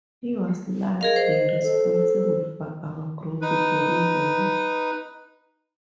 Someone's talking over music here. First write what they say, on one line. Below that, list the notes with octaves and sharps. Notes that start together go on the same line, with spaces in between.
He was largely responsible for our growth during the war.
G#4 A#4 D#5 F5
C5
A4
D#4 B4